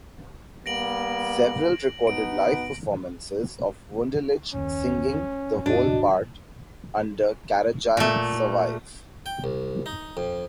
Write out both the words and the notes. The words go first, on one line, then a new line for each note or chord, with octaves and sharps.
Several recorded live performances of Wunderlich singing the whole part, under Karajan, survive.
G3 A#3 B3 A#6 D7 F#7
B2 B3 D#4 D7
F#1 D#2 D#3 C#4
D#2 G#2 C3 D4 F#4 D#5
A#2 A3
G5
C2
D#4
F2